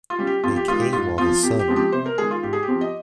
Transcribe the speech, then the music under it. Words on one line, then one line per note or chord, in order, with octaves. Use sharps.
Make hay while the sun.
F4
G3 C#4
G4
F2 F4
G4
D#3 G#3 F4
G4
G#2 F4
F3 C4 F4
F2 G4
G4
C#3 F3 G#3 C4
G4
C3 C5
A#4
D#3 G#3 G#4
F4
G#2 G4
G#4
G4
F3 C4
D#5